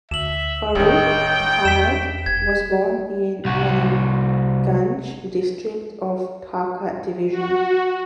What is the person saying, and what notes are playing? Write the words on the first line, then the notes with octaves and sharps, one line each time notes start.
Faruque Ahamed was born in Manikganj District of Dhaka division.
D2 E5 E7 F#7
E1 A1 D#3 D#4 G5
E2 B6 E7
F1 G#6
C2 F#4
F#4